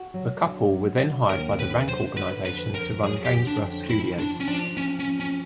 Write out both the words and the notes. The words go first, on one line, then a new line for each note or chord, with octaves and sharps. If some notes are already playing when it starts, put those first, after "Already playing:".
The couple were then hired by the Rank Organisation to run Gainsborough Studios.
Already playing: F#4
F#3
D3
F#3
D3
D#2 A#4
D3 B4
F#3 C5
D3 B4
F2 B4
F2 A#4
F#3 G#4
G4
D3
D4
F2
F3 E4
F3 D4
C#4
F3 D4
F3 C#4
C#4
F3
C#4